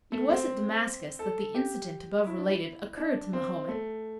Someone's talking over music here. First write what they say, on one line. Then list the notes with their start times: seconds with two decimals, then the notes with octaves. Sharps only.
It was at Damascus that the incident above related occurred to Mahomet.
0.12 A3
0.30 C4
1.19 A4
1.55 G4
2.27 E4
2.38 D4
2.49 E4
2.97 D4
3.33 C4
3.69 A3